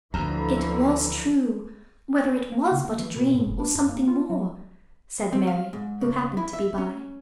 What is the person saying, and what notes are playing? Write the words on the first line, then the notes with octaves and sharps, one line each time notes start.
"It was true, whether it was but a dream or something more," said Mary, who happened to be by.
D2 D3 E3 F3 A#5
A#3
C#3
A#3
E3
B2
G#2
F1
D4
F#2
A#3
F4
F#3
C4
F5
G#2
C#3
E4
E5
C#4